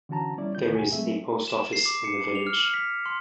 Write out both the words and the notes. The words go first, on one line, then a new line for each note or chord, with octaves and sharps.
There is a post office in the village.
D3 E3 C#4 F#4 A5 A#5
G3 B3 C#4 E4 C#5 D5
D2 D#3 F4 G6
D2 G#2 B2 F#4 G#5
F#3 G#3 A3 C4 G#4 E5
E7
C7
D6
C#7
F7
F6
F6
B6
C6